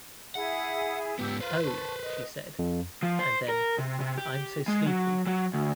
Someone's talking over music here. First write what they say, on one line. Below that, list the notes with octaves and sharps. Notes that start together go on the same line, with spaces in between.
"Oh," she said — and then: "I'm so sleepy."
E4 G#4 E5 F#5
G#2 B3 G4 E6
F4 B4 C5
A5 C#6
D#5
F2
F3
C5
A#4
C3
C3
G4
G#3
F#3
F#3
D2